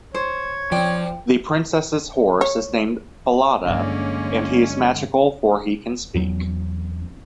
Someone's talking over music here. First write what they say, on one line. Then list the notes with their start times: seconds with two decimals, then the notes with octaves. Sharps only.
The princess's horse is named Falada, and he is magical for he can speak.
0.14 C5 C#5
0.72 F3 C4 D4 G5
2.41 C#5
3.66 G2 D3 F#3 G#3 A#3 C#4 D5
6.15 E2 F#3